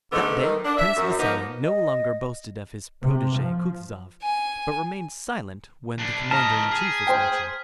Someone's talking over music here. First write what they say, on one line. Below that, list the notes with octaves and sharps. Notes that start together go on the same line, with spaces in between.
That day Prince Vasili no longer boasted of his protege Kutuzov, but remained silent when the commander-in-chief was mentioned.
G#2 D3 A3 B3
D#3
D4
E5
F#2
F3 A#3 B3 D#4
D#5
C3
F3
G#5
A#2 D4
A2 D#5 A5 A#5 F6 B6
G#4
C5 G5